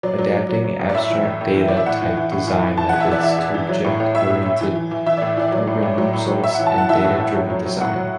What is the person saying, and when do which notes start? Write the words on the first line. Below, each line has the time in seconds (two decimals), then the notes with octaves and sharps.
Adapting abstract data type design methods to object-oriented programming results in a data-driven design.
0.03 F#3 D5
0.18 F#3
0.33 F#3
0.49 F#3
0.64 F#3
0.80 F#2
0.89 D5
0.94 A2 E5
1.10 E3
1.25 A2
1.41 A2
1.56 E3
1.68 E3 D5
1.77 E5
1.86 A2 F#5
2.01 E3
2.17 E3
2.32 A2
2.47 E3
2.63 E3
2.77 E3 A5
2.89 F#5
2.93 E2
3.00 E5
3.08 E3 D5
3.23 E3 E5
3.38 E2
3.54 E3
3.69 F#3
3.84 A2
4.00 A2
4.15 A2 E5
4.30 A2
4.45 A2
4.61 E3
4.76 E3
4.91 E3
5.06 E3 E5
5.17 A2 D5
5.37 E3 D5
5.52 F#3
5.67 A2
5.82 A2
5.98 F#3
6.13 A2
6.28 F#3
6.43 A2 E5
6.55 F#5
6.59 E3
6.67 A5
6.74 E3 F#5
6.89 E3 E5
7.04 A2
7.20 A2
7.35 F#3
7.50 F#3
7.66 F#3
7.81 A2 F#5
7.96 F#3